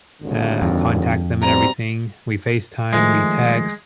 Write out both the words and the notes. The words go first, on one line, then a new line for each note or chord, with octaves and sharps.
eh, contact them and everything we FaceTime, we text.
G#1 D#2 D3
F2
B2 G3 C4 A#5
D#3 F3 G#3 A3